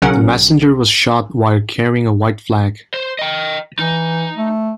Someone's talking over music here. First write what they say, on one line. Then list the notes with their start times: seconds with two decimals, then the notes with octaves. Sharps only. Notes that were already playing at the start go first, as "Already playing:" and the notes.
The messenger was shot while carrying a white flag.
0.02 B1 C#3 F#3 C#4 A#4 F#5
2.94 C5
3.19 D#5 G5
3.79 E3 D#4
4.36 A3